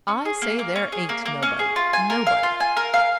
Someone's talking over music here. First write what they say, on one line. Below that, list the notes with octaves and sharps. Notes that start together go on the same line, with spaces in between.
I say there ain't nobody;--nobody.
C#4
G#4
A#3
A#3
C#4
G#4
A#3
A#3
C#4
G#4
F4
G#5
A#4
F5
F4
G#5
A#4
F5